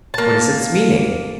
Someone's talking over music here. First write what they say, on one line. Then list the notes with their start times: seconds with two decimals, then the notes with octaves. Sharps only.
What is its meaning?
0.14 A#3 A5